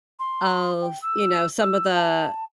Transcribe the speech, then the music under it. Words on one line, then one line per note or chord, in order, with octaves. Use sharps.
of, you know, some of the
C6
G5
E6
E6
A5